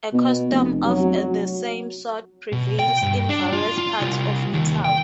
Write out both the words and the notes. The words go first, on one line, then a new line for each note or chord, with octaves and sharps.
A custom of the same sort prevails in various parts of Italy.
B2
F1
F#3
B2
G5
G2
D4
F4
F4
C2
D#2
G5